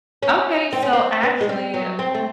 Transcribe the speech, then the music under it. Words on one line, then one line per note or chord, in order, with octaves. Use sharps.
Okay, so, actually,
C#4
C4
C#4
C4
B3
G#3
G3
F#3
C4
A3